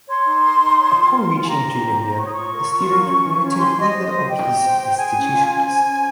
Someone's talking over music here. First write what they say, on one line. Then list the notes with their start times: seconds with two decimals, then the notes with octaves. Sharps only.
Upon reaching junior year, a student may attend either of these institutions.
0.07 C#5 C6
0.25 D#4
0.43 A#4
0.60 D#4
0.78 C#5
0.96 F4
1.13 A#4
1.30 F4
1.42 G#5
1.47 G4 A#5
1.65 G4
1.83 C5
2.00 C5
2.18 C#5 C#6
2.24 D#6
2.32 F4 C#6
2.52 A#4
2.70 F4
2.87 A#4
3.04 C#4
3.22 F4
3.40 C#4
3.53 A#5
3.57 G4 C6
3.75 G4 D#5
3.92 C5
4.04 D#5
4.09 C5
4.27 G4 G5
4.44 G4
4.63 C5
4.80 C5
4.97 G#4 G#5
5.15 C#4
5.32 F4
5.50 C#4
5.67 C5
5.85 C#4